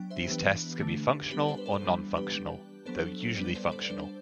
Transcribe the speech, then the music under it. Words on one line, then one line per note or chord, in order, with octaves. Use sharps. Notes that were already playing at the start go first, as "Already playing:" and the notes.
These tests can be functional or non-functional, though usually functional.
Already playing: F#3 B3 D4 G5
C5 E5
E3 B3 D4 G4 B4
D3 A3 D4
G3 B3 D4 G4 B4
A4 C5
B4
A4 C5
E3 G3 B3 D4
G4 B4
G3 D4
F#3 B3 D4 A4 C5
G3 B3 D4 B4 D5
A4 C5
B4 D5
G3 D4 A4 C5